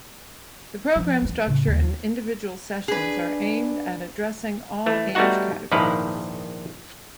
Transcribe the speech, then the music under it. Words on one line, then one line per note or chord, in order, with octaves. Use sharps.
The program structure and individual sessions are aimed at addressing all age categories.
F3
D#3 E3
A2 C#3
D#2
D4 G#4 B4
E3 A3
G3 A3 B3 D#4 F#4 F#5
A#1 G#2 D#3 E4 B4 F5